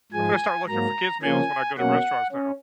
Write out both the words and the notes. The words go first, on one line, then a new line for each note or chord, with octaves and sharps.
I'm gonna start looking for kids meals when I go to restaurants now.
G#2 F3 G#3 G#5
G#2 F#3 A#3 A#5
C#3 F3 A#3 C#4 G#5
B2 F#3 A#3 C#4 F#5
C#4